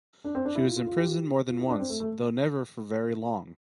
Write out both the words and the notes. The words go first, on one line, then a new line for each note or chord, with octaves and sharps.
She was imprisoned more than once, though never for very long.
D4
C4
D4
E4
F4
F4
F4
G4
F4
G4
F4
E4
D4
C4
A3
A3